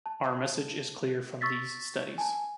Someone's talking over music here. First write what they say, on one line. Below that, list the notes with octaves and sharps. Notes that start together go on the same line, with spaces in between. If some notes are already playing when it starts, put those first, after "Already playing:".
One message is clear from these studies.
A5
C#6 E6 A6 B6
G#5 A5